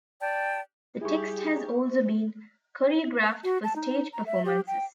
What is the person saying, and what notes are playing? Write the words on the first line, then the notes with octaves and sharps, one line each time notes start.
The text has also been choreographed for stage performances.
D5 G5 A5
G3 E4 G4 G#4 C#6
F#4
A5
D#4
A#5
E5
G4
G5